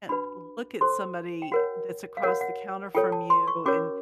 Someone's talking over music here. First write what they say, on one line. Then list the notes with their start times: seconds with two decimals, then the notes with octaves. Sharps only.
can't look at somebody that's across the counter from you, and
0.09 D4 F#4 B4 B5
0.81 F#4 A4 C5 C6
1.42 G5
1.52 F#4 A#4 C#5 F#5
2.17 F5
2.23 F#4 A#4 C#5 F#5
2.41 F#5
2.95 F4 A4 C#5 G5
3.12 A5
3.30 C6
3.48 C#6
3.66 C#4 F#4 A#4 C#5 D6